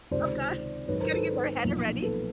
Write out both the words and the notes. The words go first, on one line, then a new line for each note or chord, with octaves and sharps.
Oh god. It's getting in my head already.
C#2 C3 D#3 C5 D5
G#1 G#2 D#3 F#3 B4 C#5
A#4 C5
A4 B4
B1 A#2 F3
A4 B4